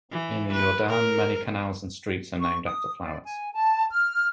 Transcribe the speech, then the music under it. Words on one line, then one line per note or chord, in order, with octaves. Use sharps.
In the Jordaan many canals and streets are named after flowers.
E3
B4
A#4
C#6
D#6
D5
G#5
A5
F6